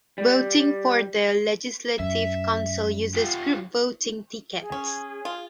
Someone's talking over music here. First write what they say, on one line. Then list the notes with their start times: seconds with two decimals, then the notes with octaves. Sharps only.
Voting for the legislative council uses group voting tickets.
0.18 G3
2.00 F#2 E5
3.15 F4 G4
4.60 G#4
4.72 C#4
5.25 F4